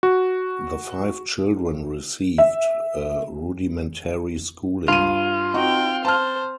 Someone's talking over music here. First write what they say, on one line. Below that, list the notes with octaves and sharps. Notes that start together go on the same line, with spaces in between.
The five children received a rudimentary schooling.
F#4
E5
G2 F4 D#7
C4 D#4 F#4 G5
C5 A5 F6